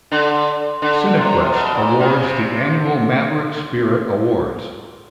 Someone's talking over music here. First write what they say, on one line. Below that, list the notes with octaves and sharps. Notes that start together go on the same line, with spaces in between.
Cinequest awards the annual Maverick Spirit Awards.
D3
D3
C3
B2
A#2
C#3
C3